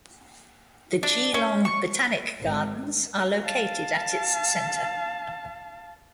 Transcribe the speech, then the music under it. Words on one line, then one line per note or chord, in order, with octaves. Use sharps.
The Geelong Botanic Gardens are located at its centre.
D4
C#4
C#6
G#1
F5 A5